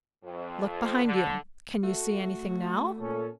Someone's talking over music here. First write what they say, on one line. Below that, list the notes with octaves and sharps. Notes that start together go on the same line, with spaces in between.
'Look behind you! can you see anything now?'
F2
D3
A3 F#4
A#2 C#4 A4